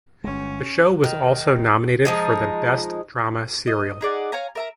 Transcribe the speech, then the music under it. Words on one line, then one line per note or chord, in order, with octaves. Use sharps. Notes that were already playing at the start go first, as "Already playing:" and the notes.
The show was also nominated for the Best Drama Serial.
G1 G#3 C#4
D#3
F3 G#3 D#4
D#5
D#4 G#4 D5 F#5
C#5 F5 G#5 A#5
A#4 E5 A#5